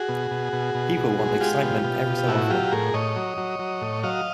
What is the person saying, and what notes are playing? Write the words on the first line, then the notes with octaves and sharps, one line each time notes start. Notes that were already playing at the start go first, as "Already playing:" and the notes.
People want excitement every so often.
Already playing: F#4 G#4
B2
B2
B2
B2
B2
G#3
G#3 F4 G4
B2
B2
B2
A2 E4 F#4
F#3 F4 G4
A2 G#4 A#4
A2 C#5 D#5
F#3
F#3
F#3
A2
F#3 D#5 F5